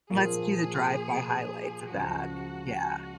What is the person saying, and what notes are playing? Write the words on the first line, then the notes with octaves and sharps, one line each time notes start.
e let's do the drive-by highlights of that. Yeah.
A#2 F3 A#3 F4 G#4
C#2 C#3 F3 F#4